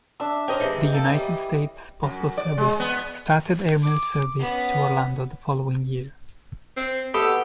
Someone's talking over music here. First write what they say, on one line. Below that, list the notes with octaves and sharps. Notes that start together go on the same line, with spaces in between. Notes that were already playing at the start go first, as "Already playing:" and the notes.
The United States Postal Service started airmail service to Orlando the following year.
D4 E5 E6
C#4 A#4 C5 D#5 G5
C3 E3 G#3
A#3 A4
E3 G3
F#2
D5
G#3
B3
D6
B3 C#4
C4
B2 G4 A4 B5 D#6 E6